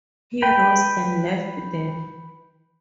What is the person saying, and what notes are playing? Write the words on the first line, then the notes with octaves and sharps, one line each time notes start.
He rose and left them.
B4 G5